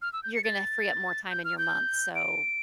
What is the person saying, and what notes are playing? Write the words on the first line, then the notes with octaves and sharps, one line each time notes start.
you're gonna free up more time in your month, so,
F6
E6
G6
C#7
A6
G6
F6
G6
D7